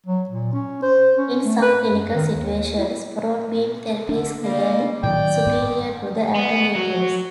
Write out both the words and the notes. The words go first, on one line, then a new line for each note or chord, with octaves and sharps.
In some clinical situations, proton beam therapy is clearly superior to the alternatives.
F#3
A#2
C#4
C5
C#4
A3
B4
F#2
D#3
D#2
E4
D3 D4
G3 A#3
A2 D#3 F#3 D5 G5
F#1 G#2 B3
B3
F#3 F#4